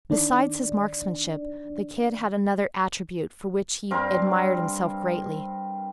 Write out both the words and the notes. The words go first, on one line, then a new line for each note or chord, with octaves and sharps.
Besides his marksmanship the Kid had another attribute for which he admired himself greatly.
D#3 D4 D5
G2 C4 A#4 F5